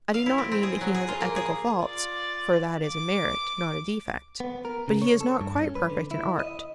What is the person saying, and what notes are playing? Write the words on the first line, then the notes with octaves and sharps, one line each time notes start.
I do not mean that he has ethical faults, for that is a merit, not a defect; but he is not quite perfect in art.
F5
E4
C4
C4
G#4
F#3
G#4
F4
A#3
G#4
F4 D5
D6 D7
B3
A#4
C#3
C#5
A4
G2
C#4
B4
D3
E4
D#5